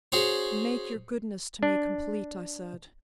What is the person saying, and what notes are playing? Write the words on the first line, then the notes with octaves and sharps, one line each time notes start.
"Make your goodness to me complete," I said.
C#4 F#4 G#4 C5 C#5
D4